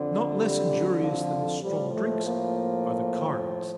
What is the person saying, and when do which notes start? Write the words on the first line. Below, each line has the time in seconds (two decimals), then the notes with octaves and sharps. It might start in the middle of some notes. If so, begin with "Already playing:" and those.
Not less injurious than the strong drinks are the cards.
Already playing: F2 D3
0.35 G3
0.99 F3
1.62 A2 F3 G3
1.93 A3
2.25 A#3